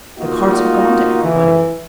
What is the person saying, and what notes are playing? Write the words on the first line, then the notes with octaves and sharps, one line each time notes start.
The cards have gone to everybody.
A#3 D#4 F4 F#4
E3